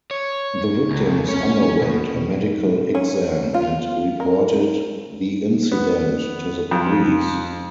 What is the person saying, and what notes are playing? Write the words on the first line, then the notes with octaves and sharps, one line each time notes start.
The victims underwent a medical exam and reported the incident to the police.
C#5
C#2
C#4 C#5
B2
C#4
F4
A#4
B3
F2